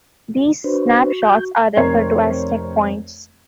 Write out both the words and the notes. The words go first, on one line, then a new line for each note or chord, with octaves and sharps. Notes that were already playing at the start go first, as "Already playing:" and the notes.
These snapshots are referred to as "checkpoints".
D4 F#4 B4 C5
G6
F1 C4 A#4 C#5 G#6 C7